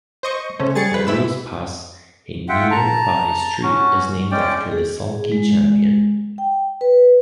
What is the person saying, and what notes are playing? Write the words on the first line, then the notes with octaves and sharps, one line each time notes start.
Adios Pass, a nearby street, is named after the sulky champion.
C5 D#5 C#6
C#3 A3 C#4 C5
G3 G#4 A4 A6 C#7
F2 B4
G#2 E5 B5 E6
F4 E5 F#5 G5
A5 A#5
C#4 F#4
G#3 C#4 D5 G5
G#4
G#3
G5
B4